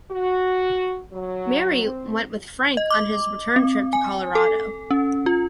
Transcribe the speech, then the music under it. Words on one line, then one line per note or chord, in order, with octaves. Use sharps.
Mary went with Frank on his return trip to Colorado.
F#4
F#3
C4
D#5
D6
C4
G#5
A4
C#4
F4